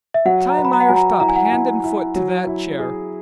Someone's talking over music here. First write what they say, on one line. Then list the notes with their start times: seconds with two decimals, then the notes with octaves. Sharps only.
Tie Myerst up--hand and foot--to that chair.
0.14 E5
0.25 F#3 F#5
0.50 A#5
0.57 B4
0.65 B5
0.73 A#5
0.81 F#5
0.89 F#3 G#5
0.96 A#5
1.20 E4 A#5
1.29 G#5
1.36 F#5
1.45 G#5
1.52 E4
1.84 E4
2.15 F#3
2.47 E4
2.79 G#4